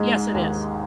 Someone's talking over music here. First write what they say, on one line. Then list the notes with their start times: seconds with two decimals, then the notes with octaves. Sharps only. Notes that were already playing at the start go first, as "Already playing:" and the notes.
Yes, it is,
Already playing: G#2 G#3
0.34 D#2